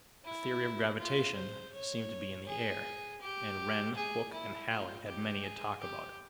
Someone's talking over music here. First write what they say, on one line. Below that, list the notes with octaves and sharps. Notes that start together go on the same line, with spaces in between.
The theory of gravitation seemed to be in the air, and Wren, Hooke, and Halley had many a talk about it.
E4
F4
C5
C#5
G#4
G4
G#4
E4
F4
G4
G#4
G4